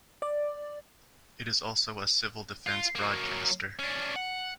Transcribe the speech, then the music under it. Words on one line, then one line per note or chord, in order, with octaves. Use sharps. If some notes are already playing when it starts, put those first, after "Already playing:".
It is also a Civil Defence broadcaster.
D5
F4
F#3 A#3
C#4 D4
F#5